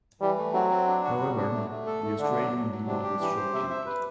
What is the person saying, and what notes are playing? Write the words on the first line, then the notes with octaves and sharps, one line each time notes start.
However, the Australian lead was short-lived.
E3 G3
A3
F#3 C4
C4
D4
F#4
G3
D4
A3
A3
A4
A3
D3 D4
F#3
F#3
F#3
C3 D4
G4
E3 G4
C5
C3 E5
E5
B4